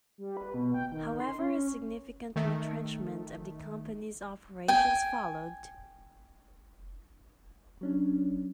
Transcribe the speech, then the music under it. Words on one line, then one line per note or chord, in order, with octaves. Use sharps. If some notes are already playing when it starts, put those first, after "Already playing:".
However, a significant retrenchment of the company's operations followed.
G3
B4
B2
G5
D#3
C6
C#4
D#3 A3
G5 G#5
F#3 C#4 D4